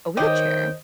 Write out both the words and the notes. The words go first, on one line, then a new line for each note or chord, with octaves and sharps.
a wheelchair.
D#3 G4 A#4 C5 C#5 D#5 G5